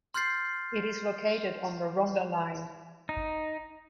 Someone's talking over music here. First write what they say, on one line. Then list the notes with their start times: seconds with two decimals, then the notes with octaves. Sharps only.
It is located on the Rhondda Line.
0.14 C6 F6 G6 A6 C7
3.09 D#4